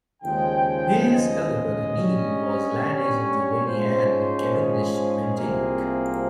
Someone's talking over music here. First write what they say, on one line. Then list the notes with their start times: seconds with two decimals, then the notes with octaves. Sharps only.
His elder brother Neil was land agent to Lady Anne Cavendish-Bentinck.
0.23 D#2 C#3 F3 G#3 G5
1.08 D#5
1.94 G2 G3 C#4
2.80 C#5
3.66 G#2 F3 G#3 C#4 C5
4.09 C5
4.52 G#4
5.37 C2 C3 F3 A#3